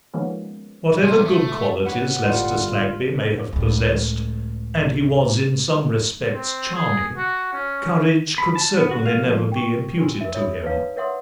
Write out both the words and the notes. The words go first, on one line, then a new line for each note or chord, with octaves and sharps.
Whatever good qualities Lester Slaggby may have possessed, and he was in some respects charming, courage could certainly never be imputed to him.
D#3 F3 G#3 A#3 B3 C#4
B1 C3
A3
G4 B4 C#5 F#5
G1 A2 G3 F4 G4 C5
C#2 A2
C4
G#4
F#4
C#4
B5
A5
B3
F#4
F5
F3
G5 C#6
D4 F#4 G4 A#4
A#4 E5
C#5 E5 B5 D#6
D#4 B4 C#5 F5
A#4 C#5 E5 F#5 C6 D#6